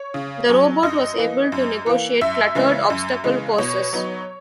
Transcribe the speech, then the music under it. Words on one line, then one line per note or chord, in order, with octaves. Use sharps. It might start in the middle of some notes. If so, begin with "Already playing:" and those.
The robot was able to negotiate cluttered obstacle courses.
Already playing: C#5
C#3
F#3 C#4
F#2 D#5
E3 A#3
F#2
E3 A#3
F#2 E5
C#3 E3 G#3
F#2
C#3 E3 G#3
B2 C#5
F#3 B3 D#4